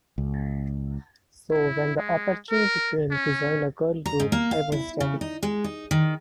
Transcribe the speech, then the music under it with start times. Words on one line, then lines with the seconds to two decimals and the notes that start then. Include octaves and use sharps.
So when the opportunity came to join a girl group I was ready!
0.18 C#2
1.51 E4
1.97 G#3
2.51 A#4
3.11 C#4
4.06 A#5
4.20 G#2
4.32 A#3
4.51 F5
4.72 E4
5.00 C#3
5.21 D#4
5.43 G#3
5.64 D#4
5.91 D#3